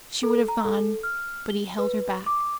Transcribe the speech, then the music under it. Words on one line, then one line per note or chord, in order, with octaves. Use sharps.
She would have gone, but he held her back.
A4
A#5
A4
F6
G7
B4
D6